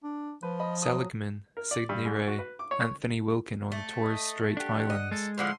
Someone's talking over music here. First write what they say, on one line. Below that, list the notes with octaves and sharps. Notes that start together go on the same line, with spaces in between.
Seligman, Sidney Ray, Anthony Wilkin on the Torres Strait Islands.
D4
F3 B4
D#5 B5
F#3 D#6
A#4
D5
G2
G#2
F#4
B4
D6
C#5
A3
D#5
D4 G4 F#5
D#5
G#3 A4
A2 D3 F3 C6